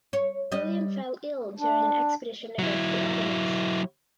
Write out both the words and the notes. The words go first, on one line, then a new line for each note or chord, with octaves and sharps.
William fell ill during an expedition against the Ottomans.
C#5
G3 D#5
D4
F#3 E4